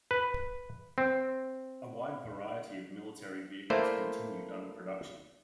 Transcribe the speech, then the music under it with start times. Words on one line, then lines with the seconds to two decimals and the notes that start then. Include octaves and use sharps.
A wide variety of military vehicles continued under production.
0.11 B4
0.98 C4
3.70 A3 A#3 E4 C5 D5